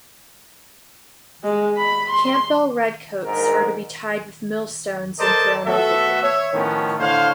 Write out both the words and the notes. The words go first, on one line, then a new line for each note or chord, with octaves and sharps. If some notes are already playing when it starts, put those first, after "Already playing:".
Campbell redcoats are to be tied with millstones and thrown overboard.
G#3
B5
C6
A#1 G#2 A#4
A4 A#4 C5 D5 D#5 A5
A3 B3 F#4 A4 E5
C#5 E5
A2 D#3 F3 A3 B3 C#4
A2 D3 C5 C#5 F5